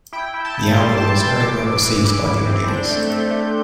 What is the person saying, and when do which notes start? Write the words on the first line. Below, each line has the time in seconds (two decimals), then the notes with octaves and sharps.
The album was very well received by the audience.
0.13 E4 G5
0.34 E4
0.45 A5
0.55 E4
0.76 G3 C6
0.97 E3 A5
1.19 E3 C6
1.35 E6
1.40 E3 D6
1.61 E3
1.82 E3
2.04 E3
2.25 E4
2.46 C4
2.67 D4 G6
2.89 A3
3.00 G6
3.10 A3
3.31 A3